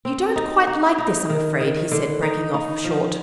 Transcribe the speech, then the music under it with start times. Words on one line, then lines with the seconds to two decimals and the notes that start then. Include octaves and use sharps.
'You don't quite like this, I'm afraid,' he said, breaking off short.
0.05 C4
0.36 D#4
0.67 D#4
0.98 D#4
1.29 D#3
1.60 D#3
1.92 D3
2.22 D#4
2.54 D#4
2.85 F3